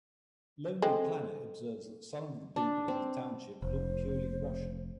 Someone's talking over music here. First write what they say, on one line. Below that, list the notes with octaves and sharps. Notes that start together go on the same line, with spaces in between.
Lonely Planet observes that some of the people in the township "look purely Russian".
G#3 C4 A4
D4
C4
F1 C5